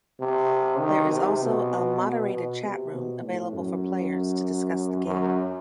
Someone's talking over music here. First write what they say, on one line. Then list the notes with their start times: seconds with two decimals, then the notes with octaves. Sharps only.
There is also a moderated chat room available for players to discuss the game.
0.20 C3
0.80 D#3
1.11 C3
1.42 B2
2.02 B2
2.32 B2
2.63 C3
2.93 B2
3.23 A2
3.54 F#2
5.06 F#2